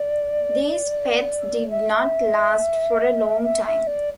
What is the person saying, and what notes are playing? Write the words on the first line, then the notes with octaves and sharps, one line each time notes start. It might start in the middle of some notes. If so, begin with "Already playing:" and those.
These pets did not last for a long time.
Already playing: D5
E5
E5
E5
D5